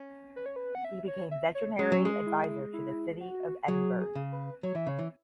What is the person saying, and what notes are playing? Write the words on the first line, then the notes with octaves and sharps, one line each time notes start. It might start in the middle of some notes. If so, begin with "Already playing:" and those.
He became Veterinary Advisor to the City of Edinburgh.
Already playing: C#4
B4
C#5
B4
F#5
E5
C#5
E5
C#5
G#3 C#4
F#3
G#3
E4
E4
F#4
F#3 G#4
G#4
C#3
B4
F#3 C#5
E3 E5
C#3 C#5
E3